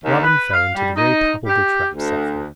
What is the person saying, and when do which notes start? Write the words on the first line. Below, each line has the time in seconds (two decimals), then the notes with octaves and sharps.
Robin fell into the very palpable trap set for him.
0.03 D#2
0.23 B4
0.53 F5
0.75 G3
0.95 D#4
1.46 G4
1.91 D2